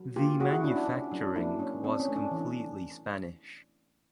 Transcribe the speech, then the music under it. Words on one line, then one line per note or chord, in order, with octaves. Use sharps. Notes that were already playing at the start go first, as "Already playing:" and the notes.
The manufacturing was completely Spanish.
Already playing: F#3
A#3 F4 G4
C#4 F#4 G#4
E4 F#4
C#4 D4 E4
D4
C#4 D4
F#3 D4
A#3 D4 E4
C#4
C4 D4
C#4
A3
D4
E3